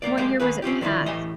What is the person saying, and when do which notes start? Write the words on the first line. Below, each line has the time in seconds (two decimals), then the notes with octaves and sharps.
What year was it passed?
0.02 C2 G2 A#3 D5
0.18 G#3 A#3 G4 C5 G5
0.40 C#2 D#3 A#3 G#4 B4
0.62 C4 C#4 F4 G4
0.81 D3 D#3 F3 E4
1.06 A2 E3 G4 D#5 G#5 A#5